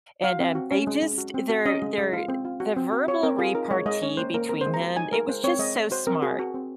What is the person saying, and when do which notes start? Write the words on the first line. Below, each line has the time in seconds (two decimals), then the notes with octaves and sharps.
And, um, they just their their the verbal repartee between them, it was just so smart.
0.23 F#4 F5
0.40 C4
0.55 F#4
0.72 C#4
0.87 G#3
1.02 G#3
1.18 F#4
1.34 C4
1.49 F#4
1.65 C#4 D#5
1.82 G#3
1.98 G#3
2.13 F4
2.28 C4
2.45 F4
2.60 F#4
2.76 C4
2.92 F#4
3.07 F4 C#5
3.23 C4 A#4
3.39 F4 G#4
3.55 D#4 A#4
3.71 G#3 C#5
3.86 G#3 D#5
4.02 C#4 C#5
4.17 A#3 C5
4.34 A#3 A#4
4.49 C4 A#4
4.61 C5
4.66 G#3
4.74 A#5
4.81 F#4
4.96 D#4 G#5
5.12 G#3 A#4
5.28 G#3 C5
5.44 C4 C#5
5.59 G#3 D#5
5.75 G#3
5.91 F#4 C5
6.07 C4 A#4
6.22 F#4 G#4
6.39 F#4
6.54 C4